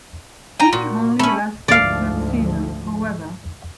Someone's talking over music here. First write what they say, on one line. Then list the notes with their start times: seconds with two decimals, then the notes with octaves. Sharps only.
He only lasted that season, however.
0.60 G5 G#5 A#5
0.73 A#2 F#4
1.19 A3 C#4 B5
1.68 D2 G#2 F3 D5 F5